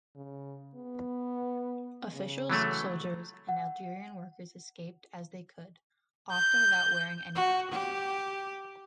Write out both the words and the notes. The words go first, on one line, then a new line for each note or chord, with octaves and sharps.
Officials, soldiers and Algerian workers escaped as they could, often without wearing any protection.
C#3
B3
C#3
E3 F#3 A3
F#5
G6
F#4
G4